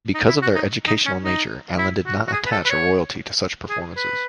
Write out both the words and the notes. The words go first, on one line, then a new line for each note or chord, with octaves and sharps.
Because of their educational nature, Allen did not attach a royalty to such performances.
D#4
E4
F#4
D#4
D#4
C#4
D#4
E4
F#4
F#4
G#4
B4
A4
B4
C#5
G#4
B4